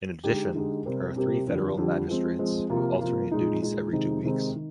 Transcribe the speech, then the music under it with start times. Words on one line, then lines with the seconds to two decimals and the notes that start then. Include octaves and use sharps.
In addition, there are three federal magistrates who alternate duties every two weeks.
0.24 D3 G#3 D#4 G4
0.55 D3 G#3 D#4 G4
0.85 C3 G3 C4 G4 A#4
1.16 C3 G3 C4 G4 A#4
1.47 F2 D3 G3
1.77 F2 D3 G3
2.08 F3 G#3 C4
2.39 F3 G#3 C4
2.70 C3 F3 A#3 F4
3.01 C3 F3 A#3 F4
3.31 A#2 G#3 D#4
3.62 A#2 G#3 D#4
3.92 C3 D#3 G#3 C4 D#4
4.23 C3 D#3 G#3 C4 D#4
4.55 D#3